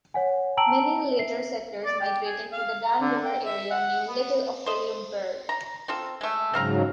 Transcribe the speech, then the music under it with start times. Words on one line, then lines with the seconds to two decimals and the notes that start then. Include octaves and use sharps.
Many later settlers migrating to the Dan River Area knew little of William Byrd.
0.14 C#5 F#5 G#5
0.57 G5 A5 A#5 E6 D7 F#7
1.19 E5 C7
1.85 D5
2.00 G4
2.25 G#4
2.52 F5
2.83 A#5
3.00 D3
3.25 G5
3.45 E5
3.70 F#5
4.08 B3
4.66 C5 D#5
5.49 A#5
5.88 C4 F4 A4
6.21 G#3 A3
6.53 G#2 C#3 F#3 C4 F5 A#5